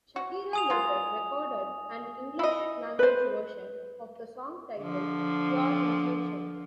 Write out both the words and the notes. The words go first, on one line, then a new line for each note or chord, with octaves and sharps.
Shakira later recorded an English-language version of the song, titled "Pure Intuition".
F#4
G#5 D#6 F7
F#3 F4
E4 D#5
B4 C5
D3 F3